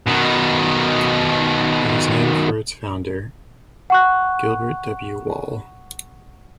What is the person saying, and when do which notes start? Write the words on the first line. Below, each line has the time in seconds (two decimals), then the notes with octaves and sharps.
It was named for its founder Gilbert W. Wall.
0.06 B2 D#3
3.90 F#5 C#6 F#6